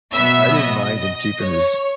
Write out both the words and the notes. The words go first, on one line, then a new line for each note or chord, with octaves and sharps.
I didn't mind him keeping his
B2 F#3 B3 E5
D#5
D#5
C#5